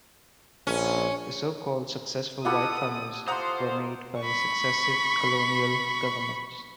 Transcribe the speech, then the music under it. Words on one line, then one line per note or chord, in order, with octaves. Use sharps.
The so-called successful white farmers were made by successive colonial governments.
A#1 C#4
E4 F4 G4 A4 F#5 B5 D#6
F4 C5 F#5 A#5 C6 D#6
B5 C#6